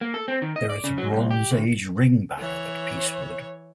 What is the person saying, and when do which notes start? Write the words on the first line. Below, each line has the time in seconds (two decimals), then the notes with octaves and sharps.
There is a bronze age ring barrow at Peacewood.
0.01 A#3
0.14 A4
0.28 C4
0.42 D#3
0.56 D#5
0.70 D5
0.84 C#3
0.98 F#3
1.12 C2
1.31 G4
1.51 D2
2.38 E3 C#5